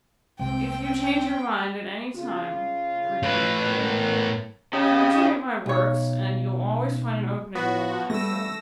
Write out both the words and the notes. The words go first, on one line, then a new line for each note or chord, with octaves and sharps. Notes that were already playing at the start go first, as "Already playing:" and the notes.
'If you change your mind at any time,' returned Eugene, 'come to me at my works, and you'll always find an opening in the lime-kiln.'
C2 C3 G#3 C4 G5
C#3 F4
A2 B4
A#3 B3 A#4
C#3 G4 D#5
B1 C#5
A2 B3 F#4
G3 A3 E6 A#6